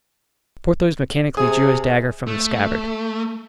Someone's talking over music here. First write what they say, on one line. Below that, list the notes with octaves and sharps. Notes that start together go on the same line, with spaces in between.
Porthos mechanically drew his dagger from the scabbard.
C3 G#4
A3